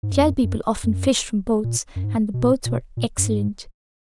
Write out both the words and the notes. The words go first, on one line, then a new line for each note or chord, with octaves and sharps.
The Shell People often fished from boats, and the boats were excellent.
G#2
F#2
E2
F#2
F#2
F#2
A#2
F#2
G#2
B2
A#2
A#2
B2
A#2
F#2
G#2